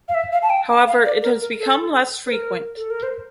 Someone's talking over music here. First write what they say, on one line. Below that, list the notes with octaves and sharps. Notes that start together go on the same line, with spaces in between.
However it has become less frequent.
F5
E5
F5
A5
G5
F5
D5
A#4
A#4
A4
C5
A#4
A4
A#4
C5